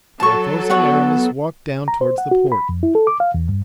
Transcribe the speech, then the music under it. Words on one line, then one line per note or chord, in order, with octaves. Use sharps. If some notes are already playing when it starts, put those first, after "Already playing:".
Athos and Aramis walked down toward the port.
F#3 A4 A5 C#6
B3 F#4 C#5 F#5
A#5
C5
F#5
F#4
B5
F2
E4
A4
D6
F5
E2
G2